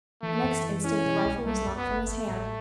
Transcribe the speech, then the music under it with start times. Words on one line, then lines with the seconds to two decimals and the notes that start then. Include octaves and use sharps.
The next instant, the rifle was knocked from his hand.
0.22 E3 A3
0.44 F#2
0.64 E3
0.84 C#4 E4
1.05 B2
1.25 B1
1.46 G3 A3
1.67 F#2
1.77 B3
1.87 G1
2.07 A1 A3
2.28 A2